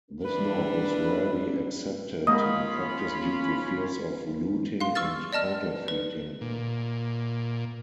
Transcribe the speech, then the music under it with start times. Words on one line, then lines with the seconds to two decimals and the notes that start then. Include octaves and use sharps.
This note was rarely accepted in practice due to fears of looting and counterfeiting.
0.25 E3 A#3 D4 B4
2.27 G#3 A#3 C#4 F4 D#5 B5 D#6
4.80 F5 C6
4.95 C#6 E6 F6 A6
5.33 D5 D#5 A5 F6
5.88 B4
6.41 A#2